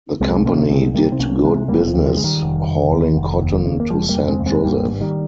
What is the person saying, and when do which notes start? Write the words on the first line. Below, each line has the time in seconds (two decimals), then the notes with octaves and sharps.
The company did good business hauling cotton to Saint Joseph.
0.21 C2 G#3 C4
0.45 C3 A#3 C#4
0.70 C2 G#3 C4
0.95 C3 G3 A#3
1.12 C4
1.19 C2 A#3 C#4
1.44 C3 G#3 C4
1.68 F1 G3 A#3
1.88 F3
1.94 D#2
2.06 F3
2.17 C#3 G#3
2.24 D#3 G3
2.43 F1
2.67 F1
2.92 D#2
3.17 F1
3.41 D#2
3.66 C#3
3.80 A#3
3.90 F1 F3 G#3
4.09 G3 A#3
4.15 F1
4.28 G#3 C4
4.40 D#2
4.46 G#3 C4
4.64 G#1 G3 A#3
4.90 G2
5.01 D#3 G3